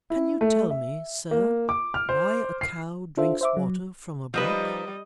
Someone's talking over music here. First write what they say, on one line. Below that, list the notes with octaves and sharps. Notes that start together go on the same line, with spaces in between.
"Can you tell me, sir, why a cow drinks water from a brook?"
E4
A3
E5
A#3
D6
F6
C5
C7
D4 F4 A4 C5 E5
C5 E5 D6
F#3
F3 G3 D#4 B4 D#5